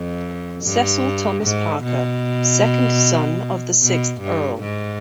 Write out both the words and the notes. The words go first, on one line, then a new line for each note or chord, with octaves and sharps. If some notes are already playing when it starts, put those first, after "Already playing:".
Cecil Thomas Parker, second son of the sixth Earl.
Already playing: F2
G2
G#2
B2
B2
G2
G#2